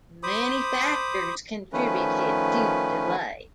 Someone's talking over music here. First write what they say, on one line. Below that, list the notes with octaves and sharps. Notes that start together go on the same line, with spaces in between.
Many factors contributed to the delay.
C5 B5 D6 D#6
D#3 F3 A3 C#4 B4